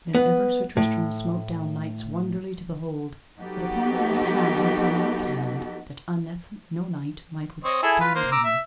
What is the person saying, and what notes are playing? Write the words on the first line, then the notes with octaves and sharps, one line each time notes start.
Then ever Sir Tristram smote down knights wonderly to behold, what upon the right hand and upon the left hand, that unnethe no knight might withstand him.
B3
A2
F#3 B3 D#4 F#4 G4 A4
C4 C#5 D#5
E4 G#4 A4
F4 B4
A#3 C5
A#5 D6 E6
E5